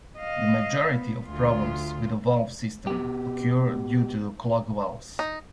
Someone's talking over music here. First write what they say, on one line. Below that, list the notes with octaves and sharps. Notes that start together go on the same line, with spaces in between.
The majority of problems with the valve system occur due to clogged valves.
D#5 F5
B3
D2 F4
B2 G4
D#4